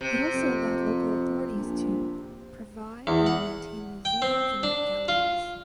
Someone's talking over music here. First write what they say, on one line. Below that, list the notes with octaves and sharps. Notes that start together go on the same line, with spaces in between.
It also allowed local authorities to "provide and maintain museums and art galleries".
C3
F2
A#1
E2
F#5
G5
C4
D4
F4